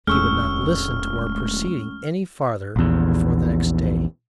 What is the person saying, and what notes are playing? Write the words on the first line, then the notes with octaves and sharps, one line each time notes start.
He would not listen to our proceeding any farther before the next day.
D1 E2 G#3 A3 C#4 C#6 E6 F6
A#1 E2